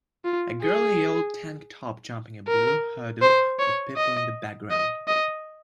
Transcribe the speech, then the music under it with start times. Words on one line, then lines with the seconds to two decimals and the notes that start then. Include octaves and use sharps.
A girl in a yellow tank top jumping a blue hurdle with people in the background.
0.25 F4
0.62 G#4
2.48 A#4
3.22 C5
3.59 C#5
3.96 D#5
4.71 D#5
5.08 D#5